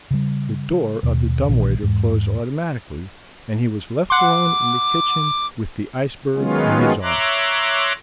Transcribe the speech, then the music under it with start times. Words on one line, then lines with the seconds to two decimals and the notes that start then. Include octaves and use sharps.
The door of the dumb-waiter closed automatically, and he was left alone in the kitchen with the iceberg in his arms.
0.11 C#3 G3
1.03 D#2 B2
1.49 A#1 A#2 D#3 E3
1.82 E2 G#2
4.10 F#5 C6 D6
6.36 D#3 F#3 G#3 B3 C#4 F4
7.02 C#5 E5 A#5 C6 D6 F#6